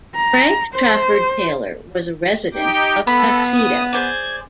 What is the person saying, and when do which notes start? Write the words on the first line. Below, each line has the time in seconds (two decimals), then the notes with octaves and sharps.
Frank Trafford Taylor was a resident of Tuxedo.
0.15 A#5
0.73 C5
2.54 D#4 G4 G5
3.07 B3 A4 B5
3.52 D#6
3.93 G#4 C5 D5 G#6